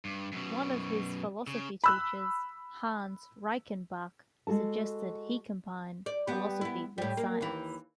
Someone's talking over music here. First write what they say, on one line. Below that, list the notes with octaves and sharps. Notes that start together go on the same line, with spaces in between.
One of his philosophy teachers, Hans Reichenbach, suggested he combine philosophy with science.
G2
F#2 B2
C#3
B5 E6 F#6
G#3 F#4 A4 A5
D5
G3 B3
B3 E4
A2 G3
A#3
D#2 E3